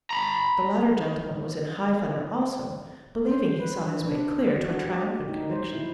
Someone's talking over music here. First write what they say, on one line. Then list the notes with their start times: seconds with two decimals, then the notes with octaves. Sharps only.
The latter gentleman was in high feather also, believing he saw his way clear to a triumphant conviction.
0.11 A#5 B5
3.25 C5
3.59 B4
3.83 D4
4.01 D4
4.58 F#4
4.84 G4
5.29 D#4
5.50 C5
5.73 E4